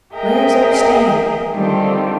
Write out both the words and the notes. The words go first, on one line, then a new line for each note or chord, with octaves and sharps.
"Where is Oak staying?"
G#4 A#4 D#5 E5 G5
D3 D#3 G3 C4 F4 A4